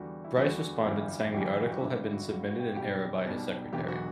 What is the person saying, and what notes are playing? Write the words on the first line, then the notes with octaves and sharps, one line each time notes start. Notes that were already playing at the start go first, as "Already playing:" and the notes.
Bryce responded saying the article had been submitted in error by his secretary.
Already playing: E2 D3 G3 F#4
E4
E2 D3 G3 F#4
G1 F#2 E3 G3
G1 F#2 E3 G3 G4
B4
F#4
G4
G1 G2 D3 G3 E4
E4
F#4
G1 G2 D3 G3 F#4
F#4
G4
B1 B2 G3 G4
B1 B2 G3
E1 E2 D3 F#3 G4
F#4